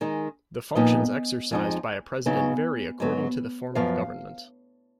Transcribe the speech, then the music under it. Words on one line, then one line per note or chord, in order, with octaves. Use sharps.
The functions exercised by a president vary according to the form of government.
D#3 G#3 D#4
A#2 F3 B3 D#4 D#5
F2 F3 G#3 D#4
C#3 F#3 B3 D#4
G#2 F#3 B3
F#2 F3 B3 F5